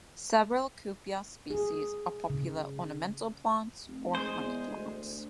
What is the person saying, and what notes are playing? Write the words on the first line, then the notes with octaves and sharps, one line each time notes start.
Several "Cuphea" species are popular ornamental plants or honey plants.
G#4
C#3
F1
G#3 G#4 C5
E2
D2